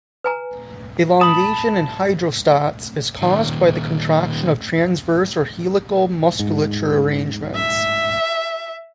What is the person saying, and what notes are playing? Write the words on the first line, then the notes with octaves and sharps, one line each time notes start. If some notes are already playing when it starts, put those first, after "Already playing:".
Elongation in hydrostats is caused by the contraction of transverse or helical musculature arrangements.
B4 G#5 A#5
A5 B5 D#6
A#2 D#3
G#2
E5